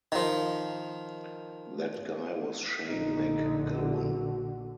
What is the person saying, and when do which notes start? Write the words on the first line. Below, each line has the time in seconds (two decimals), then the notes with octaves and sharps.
That guy was Shane MacGowan.
0.12 D#3 F3
2.88 A#1 A#2 D3 D#4
3.75 F#4